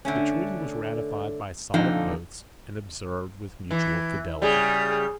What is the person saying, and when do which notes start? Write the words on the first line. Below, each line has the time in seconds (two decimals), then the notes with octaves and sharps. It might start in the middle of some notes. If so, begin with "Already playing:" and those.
The treaty was ratified by solemn oaths, and observed with mutual fidelity.
0.05 D3 A3 C#4
1.74 F2 A#2 D3 F3 D#4
3.71 E3
4.42 C#3 G3 G#4